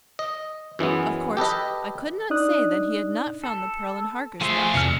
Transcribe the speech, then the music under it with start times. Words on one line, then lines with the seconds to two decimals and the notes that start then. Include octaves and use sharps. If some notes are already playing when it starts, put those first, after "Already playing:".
Of course, I could not say that he had not found the pearl in Harker's bust.
0.19 D#5
0.79 F#2 E3 G#3 B3
1.37 G4 A4 B4 D#5
2.30 D4 D#4 D5 D#6 F#6
3.44 A4
4.41 F3 G#3 A3 G#4 E5 C6
4.74 F2 C3 E3 D4 F6 C#7